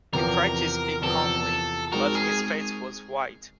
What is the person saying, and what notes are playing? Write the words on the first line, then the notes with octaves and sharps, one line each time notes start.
He tried to speak calmly, but his face was white.
E2 C3 F3 A#4
E2 C3 F3 A4
G#3 C4 D#4 F#4 A#4
G#4